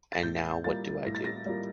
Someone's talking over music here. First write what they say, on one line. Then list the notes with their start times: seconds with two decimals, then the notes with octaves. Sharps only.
And now, what do I do?
0.13 A6
0.23 A2 G6
0.64 G3 A#3 F4 A6
1.05 A2 A#6
1.15 A6
1.24 A#6
1.46 G3 A#3 F4